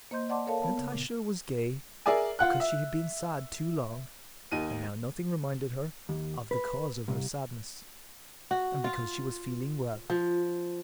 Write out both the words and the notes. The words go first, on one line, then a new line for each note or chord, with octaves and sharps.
Natasha was gay because she had been sad too long and now nothing reminded her of the cause of her sadness, and because she was feeling well.
A#3 C5 D#5 C6 G6
D5 D#5 F#5 A5 C6 D6
A4 A#4 C#5 F5 A5
B3 A5
C#3
A#2
G#4 A#4 D5 E5 G#5
F4 F#5 F#6
E5
D#2 D#4 D#7
D#2
B4
C2
F#4
F4
F3